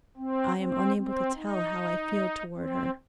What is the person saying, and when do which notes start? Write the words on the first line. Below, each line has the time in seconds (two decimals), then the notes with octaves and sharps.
I am unable to tell how I feel toward her.
0.17 C4
0.56 C4
0.96 C4
1.35 D#4
2.55 C4